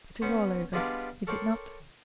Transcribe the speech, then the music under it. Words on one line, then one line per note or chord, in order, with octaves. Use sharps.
It is all over, is it not?
B3 C#4 C5 C#5
G3 G#3 B3 D4 F4 G4
A4 A#4 C#5 D5 G5 C6